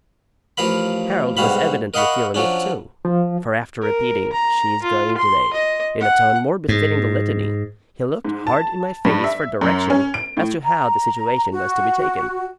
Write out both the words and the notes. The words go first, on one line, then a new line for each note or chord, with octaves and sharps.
Harold was evidently feeling it too, for after repeating "She's going to-day!" in a tone more befitting the Litany, he looked hard in my face for direction as to how the situation was to be taken.
A1 F3 A#4 F5 B5
B1 G#2 G3 F#4 F5 B5
A#4 D#5 F5 F#5 B5 C#6
F3 F#3 C#4 D4
F3
A#4
A#5
F4
C6
D#5
F#5
G#2
G#2
A5
G2
E5
F#2
C#4
D7
A2
A#5
F#4